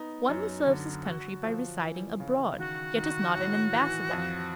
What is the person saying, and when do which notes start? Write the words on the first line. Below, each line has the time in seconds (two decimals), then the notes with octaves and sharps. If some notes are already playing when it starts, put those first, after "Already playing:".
One who serves his country by residing abroad, yet is not an ambassador.
Already playing: B3 D#4
0.29 F#2
0.67 D3
1.05 F#4
1.44 F3
1.81 E3
2.20 C#3
2.58 D#3 F#4
2.96 D#3
3.35 A2
3.73 E3
4.11 F2